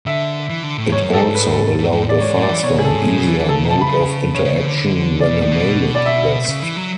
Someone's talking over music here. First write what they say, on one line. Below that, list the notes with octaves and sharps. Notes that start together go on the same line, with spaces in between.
It also allowed a faster and easier mode of interaction than a mailing list.
D3 E5
E3
D3
A2
G#2 C#5
F#2
G#2 A4
G#2
B4
G#2
G#2
A2 D5
G#2 C#5
A2
D5
E3
B2 C#5
A2 G#4
A4
G#2
A2
B2
E3
E3
C#3 A4
B2
A5
C#3 B5
C#3 C#5
C#3
C#3
D3
D3
C#3 D5
B2
A2
B2
D5
E5
C#3
E3
F#3